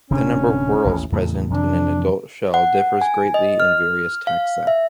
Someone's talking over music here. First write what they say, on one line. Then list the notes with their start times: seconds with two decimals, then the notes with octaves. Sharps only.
The number of whorls present in an adult shell differs greatly in various taxa.
0.10 D1 C3 C#4 D4
0.85 D1 A1 D#2
1.12 E2 A2 C#3
1.50 F2 C3 E3 D4
2.54 F#5
3.01 G#5
3.34 D#5
3.60 F6
4.27 F5
4.67 E5